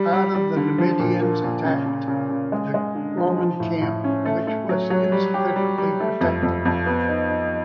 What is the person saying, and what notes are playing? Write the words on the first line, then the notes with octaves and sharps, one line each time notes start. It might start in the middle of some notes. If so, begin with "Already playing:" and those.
Part of the Numidians attacked the Roman camp which was insufficiently protected.
Already playing: G3
G3
G3
D3
F3
A#2
A#3
A#2
C#3
C#3
C#3
C#3
G#3
G#3
D3
F3
F3
A2
A2
C#4
A3
A3
F#3
F#3
G3
G4
G3
G3
A3
F2
F2
F2
B3
D#4
D#4